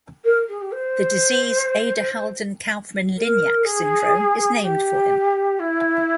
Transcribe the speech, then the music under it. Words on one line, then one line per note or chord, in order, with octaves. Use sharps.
The disease Abderhalden-Kaufmann-Lignac syndrome is named for him.
A#4
G#4
G4
C5
A#4
G#4
G4
E4